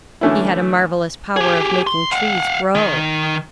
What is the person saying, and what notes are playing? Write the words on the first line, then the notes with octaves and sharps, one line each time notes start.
He had a marvellous power of making trees grow.
D3 E3 A3 C#4 E4
G4 G#4
C6
F5 F#5
D#3 D#5